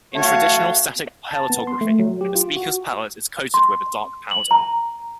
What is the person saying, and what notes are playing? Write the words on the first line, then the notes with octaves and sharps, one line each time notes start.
In traditional, static palatography, a speaker's palate is coated with a dark powder.
A3 F#4 C#5 F5
A5
B3
C6
A3
F#3
G4
F4
F#4
C6
F#7
A#5